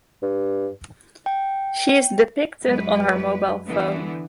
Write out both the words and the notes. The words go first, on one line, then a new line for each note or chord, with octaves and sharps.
She is depicted on her mobile phone.
G2
G5
F#2 G#3 B4
D3 E3 B3